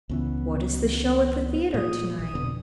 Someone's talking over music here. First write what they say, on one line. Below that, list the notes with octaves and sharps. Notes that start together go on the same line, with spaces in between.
What is the show at the theatre to-night?
C#2 C#3 E3 B3
A#2 F3 D#6
A#1 D#6
F2 B2 D3